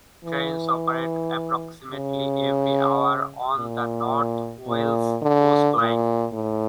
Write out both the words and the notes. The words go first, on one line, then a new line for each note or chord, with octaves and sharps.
Trains operate approximately every hour on the North Wales Coast Line.
E3
C#3
A#2
A#2
D3
A#2
A2